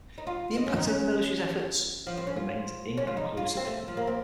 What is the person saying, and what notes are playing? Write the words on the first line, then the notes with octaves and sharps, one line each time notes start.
The impact on the military's efforts remains inconclusive.
D#4
F4
D#4
C#4
D#4
C#4
F3
C4
C#4
F4
C#4
F4
D#4
F4
C4
A3
F3
A#3
C4